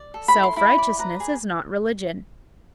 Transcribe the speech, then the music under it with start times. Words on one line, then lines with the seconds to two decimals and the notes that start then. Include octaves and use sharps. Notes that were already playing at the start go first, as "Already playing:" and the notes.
Self-righteousness is not religion.
Already playing: D5
0.14 A4
0.28 B5
0.36 E4
0.43 C6
0.56 E4 B5
0.78 D5
0.99 B4 A#5
1.20 G#4